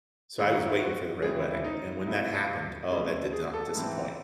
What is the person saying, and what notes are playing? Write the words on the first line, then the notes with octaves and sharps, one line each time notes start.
so, I was waiting for the Red Wedding, and when that happened, oh, that did not disappoint.
G#2 D#3 G#3 G#4
F#4
E4
F#4
C#3 E3 G#3 C4 G#4
E4
E4
D#4
D#4
C3 F#3 A3 E4
C3 F#3 A3 C#4 G#4
G#4
A4
G#2 E3 C4